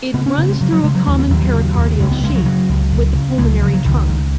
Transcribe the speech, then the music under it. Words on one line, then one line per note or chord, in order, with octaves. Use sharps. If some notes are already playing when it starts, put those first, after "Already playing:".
It runs through a common pericardial sheath with the pulmonary trunk.
C#3 B3
C#4
C#3 B3
G#3
C#3 F#3
F#3
C#3 G#3
F#3
D#2 G#3
B3
D#2 F#3
F#3
C#3
D#2
C#2 G#3
B3
C#3 G#3
F#3
C#3 F#3
C#2
C#2
C#3
C#2 G#3
F#3
C#3 F#3
F#3
C#2 D#3
C#2